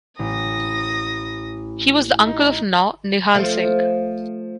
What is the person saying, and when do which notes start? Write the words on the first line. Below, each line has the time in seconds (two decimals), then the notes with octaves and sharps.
He was the uncle of Nau Nihal Singh.
0.19 A1 D#6 A#6
2.21 D#4
3.35 F3 A3